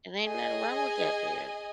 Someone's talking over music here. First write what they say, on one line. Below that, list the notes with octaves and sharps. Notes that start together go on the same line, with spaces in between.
And ain't nothing wrong with that there.
G#4 D#5 G#5